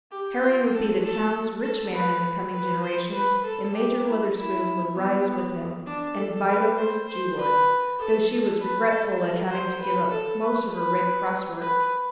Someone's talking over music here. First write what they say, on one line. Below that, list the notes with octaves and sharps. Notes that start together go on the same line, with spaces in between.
Harry would be the town's rich man in the coming generation, and Major Wutherspoon would rise with him, and Vida was jubilant, though she was regretful at having to give up most of her Red Cross work.
G4
F4
A4
A4
A4
B4
B4
C5
B4
A4
G4
E4
E4
B3
D4
A4
B4
C5
C5
B4
A4
B4
A4
A4
C5
B4
A4
B4
B4
B4